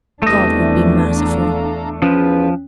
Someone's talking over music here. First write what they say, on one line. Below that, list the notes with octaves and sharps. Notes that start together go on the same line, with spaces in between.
God would be merciful.
E2 C3 E3 G3 A3 D4 D#5
A4 F5 A#5
E2 F3 C#4 F4 B4